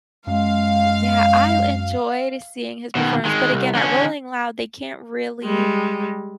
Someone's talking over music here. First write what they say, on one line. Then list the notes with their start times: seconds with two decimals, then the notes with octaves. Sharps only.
yeah, I enjoyed seeing his performance, but again, at Rolling Loud, they can't really
0.27 F#2 G#3 F5
2.95 B2 D#3
3.25 D#3 G#3
3.51 C2
3.75 D3 C#4
5.44 G3 G#3